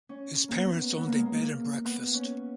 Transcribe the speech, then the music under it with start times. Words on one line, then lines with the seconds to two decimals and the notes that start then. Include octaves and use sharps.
His parents owned a bed-and-breakfast.
0.09 C#4
0.48 A#3 B3
0.97 B3
1.07 A#3
1.16 G#3
1.26 A#3
1.42 A#3
1.85 B3
2.14 C#4